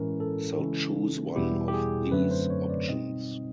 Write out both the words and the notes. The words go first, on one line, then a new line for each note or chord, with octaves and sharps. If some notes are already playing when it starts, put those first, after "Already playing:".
So choose one of these options.
Already playing: A2 E3 G#3 C#4 E4 A#4
A4
C#3 E3 G#3 C#4 E4
E2 B2 G3 B3 E4 G4
G4
G#4
F#2 D3 F#3 A3 C4 B4
C5
C#5
D5
B2 G3 C4 D#4 D#5